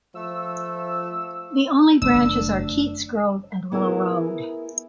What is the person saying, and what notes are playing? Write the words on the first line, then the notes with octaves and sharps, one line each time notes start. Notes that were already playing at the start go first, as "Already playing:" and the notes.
The only branches are Keats Grove and Willow Road.
F3 A3 E6
F#1 D#3 A3 D4 E6
B3 E4 G#4 A#4